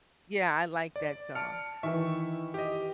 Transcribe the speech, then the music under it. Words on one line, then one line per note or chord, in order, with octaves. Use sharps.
Yeah, I like that song.
D5
A5 F6 C#7 D7
D#3 E3 E5 C#6
G4 D#5